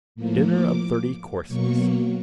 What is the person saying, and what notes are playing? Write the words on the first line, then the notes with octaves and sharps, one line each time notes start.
Dinner of thirty courses.
A2 F3 A#3
D6
B2 F#3 A#3 C#6